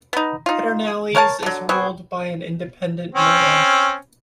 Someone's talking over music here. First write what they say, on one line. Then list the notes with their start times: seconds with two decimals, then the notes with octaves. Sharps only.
Pedernales is ruled by an independent mayor.
0.13 B3 D#4
0.46 D#4 F4
1.15 A#4 C#5 F#5 A5
1.43 D3 F#3
1.69 B3 C4 F#4 G#4
3.15 C4 C#4